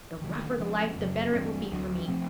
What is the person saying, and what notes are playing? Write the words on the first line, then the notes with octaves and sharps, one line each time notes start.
The rougher the life, the better it will be for me.
D2 C3 D#3
C3 F3 G#3 C#4
F#2 C#3 F#3
G2 E3 G3 C4
D2 D3 F#3
C3 F3 A3 C4